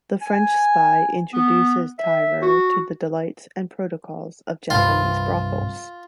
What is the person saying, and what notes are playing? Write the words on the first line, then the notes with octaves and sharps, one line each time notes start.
The French spy introduces Tyrer to the delights and protocols of Japanese brothels.
G#5
B3
E5
F#4
C2 G2 F4